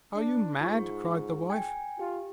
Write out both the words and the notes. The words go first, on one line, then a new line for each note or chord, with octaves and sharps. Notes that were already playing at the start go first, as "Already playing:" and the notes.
'Are you mad?' cried the wife.
D4
G#2 F4 C#6
G5 G#5
F4 G4